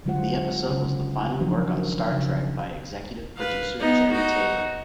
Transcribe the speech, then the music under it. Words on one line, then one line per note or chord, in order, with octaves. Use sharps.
The episode was the final work on "Star Trek" by executive producer Jeri Taylor.
D3 F#3 G#3 F4 C5 F#5
C#3 C#4
D#3 F3 F#3 D4 F#4
C#3 D#4
B4 F5
B3 D#4
D#4 F#4